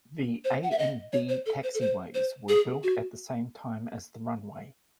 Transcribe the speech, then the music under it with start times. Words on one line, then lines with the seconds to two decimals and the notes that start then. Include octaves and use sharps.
The A and D taxiways were built at the same time as the runway.
0.44 C5
0.63 F#5
0.71 E5
0.78 D#5
1.13 C#5
1.29 C5
1.46 A4
1.63 C5
1.74 A4
1.81 C5
2.15 C5
2.49 G#4
2.83 F#4